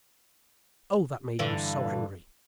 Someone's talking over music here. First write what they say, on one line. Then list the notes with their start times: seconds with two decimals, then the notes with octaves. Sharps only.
Oh, that made him so angry!
1.39 G2 D3 E3